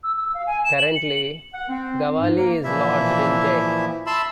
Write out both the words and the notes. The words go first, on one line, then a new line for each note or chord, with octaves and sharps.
Currently, Gawali is lodged in jail.
E6
E6
F5
G#5
E7
F#7
C#7
F#7
F#5
C4
G#2
A#3
A#2 E3 F3 E4 E5
E5 A5 B5 C6 E6